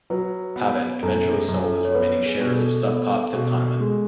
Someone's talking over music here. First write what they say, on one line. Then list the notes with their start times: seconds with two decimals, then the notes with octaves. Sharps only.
Pavitt eventually sold his remaining shares of Sub Pop to Poneman.
0.10 F#3 B4
0.56 B3
1.03 F#2 A4
1.33 G#4
1.49 F#2
1.64 A4
1.85 C#5
1.95 B3 B4
2.26 G#4
2.41 B2
2.56 A4
2.87 B3
3.33 B2
3.80 G#3